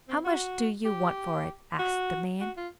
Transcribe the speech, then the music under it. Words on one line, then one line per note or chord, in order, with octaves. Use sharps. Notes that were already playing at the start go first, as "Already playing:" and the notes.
"How much do you want for it?" asked the man.
C4
F#4
G4
F#4
F#4
F4